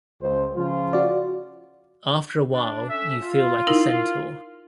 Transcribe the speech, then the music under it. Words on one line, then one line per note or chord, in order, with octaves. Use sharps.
After a while you feel like a centaur.
C#2 C5
C#3 F3 F4
F#4 D5
D4
C#4 A4 E5
F4
D#4 E4 A#4